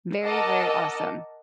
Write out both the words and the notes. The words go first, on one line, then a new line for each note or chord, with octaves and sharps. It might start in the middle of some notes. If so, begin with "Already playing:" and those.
Very, very awesome.
A#4 D#5 F#5 A5 D6 E6